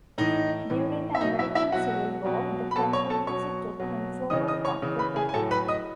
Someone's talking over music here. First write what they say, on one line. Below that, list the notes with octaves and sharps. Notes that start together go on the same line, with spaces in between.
During the American Civil War, the Confederacy took control of the property.
A2 E3 D#4 D#5
A2 E3
E5
B2 F#3 D#4 D#5
E4 E5
E4 E5
B2 F#3 F#4 F#5
B2 F#3
B5
B2 F#3 A4 A5
C#5 C#6
A4 A5
B2 F#3 C#5 C#6
B2 F#3
C#3 E3 D#5 D#6
D#5 D#6
C#5 C#6
C#3 E3
B4 B5
G#4 G#5
G#5
A2 F#3 A4 A5
B4 B5
D#5 D#6